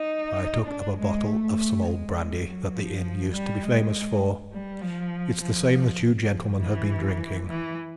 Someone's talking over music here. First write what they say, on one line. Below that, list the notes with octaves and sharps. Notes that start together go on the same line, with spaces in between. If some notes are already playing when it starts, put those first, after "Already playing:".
I took up a bottle of some old brandy that the inn used to be famous for--it's the same that you gentlemen have been drinking.
Already playing: D#4
D4
G#3
A3
G#3
F#3
F3
G3
G#3
G3
F3
F3
F3
E3
E3